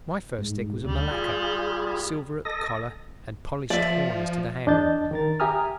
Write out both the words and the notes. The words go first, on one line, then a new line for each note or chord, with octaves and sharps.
My first stick was a malacca, silver at the collar and polished horn as to the handle.
G#2
D2 G3 D5
F4 G#4
A4 D#5 A#6
F3 D5 E5
E2 D4 D#5 A5 G6 A6
D#3 A#4 A6
G4 E5 G#5 A#5 D#6 F6